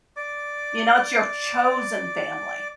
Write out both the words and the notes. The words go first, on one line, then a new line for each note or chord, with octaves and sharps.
you know, it's your chosen family
D5 D6